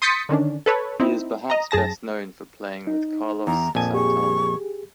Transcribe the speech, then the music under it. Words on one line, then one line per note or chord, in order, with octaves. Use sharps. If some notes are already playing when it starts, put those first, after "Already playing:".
He is perhaps best known for playing with Carlos Santana.
C6 D#6 G6 A6 B6 C#7
D3 D#3 C#4 D4
A4 B4 C#5
C4 D#4 E4
D#5 A#5
F#2 G#4 A5 A#6
D#4
E2 A#5
A#1 F2 G#5 A5
G4 G#4 C#6